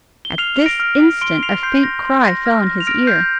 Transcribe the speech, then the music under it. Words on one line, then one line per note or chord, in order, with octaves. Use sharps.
At this instant a faint cry fell on his ear.
G7
F6 C7 F7
F7
A#6 D7
F6
C6 D7 G7
C7 F7
C6 G6 C7
A#6
C6
A#6
F6 A#6
A#6
F7
F6 A#6 D7
G6 C7